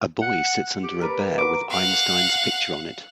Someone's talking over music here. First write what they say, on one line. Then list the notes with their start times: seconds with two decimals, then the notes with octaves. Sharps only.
A boy sits under a bear with Einstein 's picture on it.
0.22 F#5
0.84 G4
1.01 A#4 B4 D5
1.38 F#4 C6 D6
1.71 F5 F#5